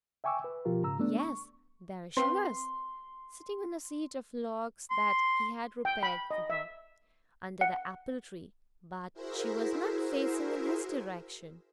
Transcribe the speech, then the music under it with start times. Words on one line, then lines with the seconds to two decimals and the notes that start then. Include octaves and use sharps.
Yes, there she was, sitting on the seat of logs that he had repaired for her, under the apple-tree; but she was not facing in his direction.
0.24 E5 G5 G#5 C#6 D6 E6
0.44 B4
0.65 B2 F3 F4 G4 A#4
0.83 G#2 C#3 A#5 E6
0.99 G3 A3 B3 D4
1.19 C#6
2.17 C4 B4 F5 C6
4.91 C6
5.85 G5
6.03 B5
6.31 D#5
6.50 E5
7.61 F#5
9.14 E4 F#4 G#4 A#4 C5 E5